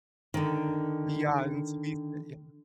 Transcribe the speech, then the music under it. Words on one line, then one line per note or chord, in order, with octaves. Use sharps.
Yeah, and to be fit yeah.
D3 D#3